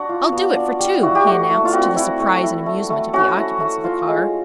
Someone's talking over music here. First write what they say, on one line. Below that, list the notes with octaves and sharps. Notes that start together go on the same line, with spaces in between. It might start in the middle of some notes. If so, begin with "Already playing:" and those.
"I'll do it for two," he announced, to the surprise and amusement of the occupants of the car.
Already playing: D4 F#4
F4
B3
D4
G3
E4 F#4
G4
A3 F#4
A3
F4
C4 F#4
E4
A3
E4
A3
A3
C#4 F#4
E4
A3
F4
G#3